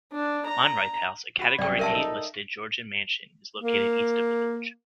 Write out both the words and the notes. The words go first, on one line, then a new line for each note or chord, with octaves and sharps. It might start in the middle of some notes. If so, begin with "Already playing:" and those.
Monreith House, a category A listed Georgian mansion is located east of the village.
D4
A#5
F#4 B5
C2 F#2 D5 G5
A#4 E5 A5
D#4 A4
A#3